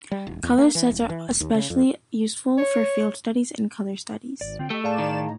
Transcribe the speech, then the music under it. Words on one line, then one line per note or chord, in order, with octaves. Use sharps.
Colors sets are especially useful for field studies and color studies.
G3
D#1
E2
A#3
E3
E1
E3
F1
D#2
C#3
F2
C#5
G#1 D5
D3 C4 F4 G5
A3 G4 D#5 E6
A2 G#4 D5 F5 A5 E7
D#3
D#4 A#5